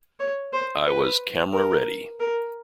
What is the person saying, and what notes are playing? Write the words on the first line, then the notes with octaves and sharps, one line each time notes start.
I was 'camera ready'.
C#5
C5
B4
A#4
A#4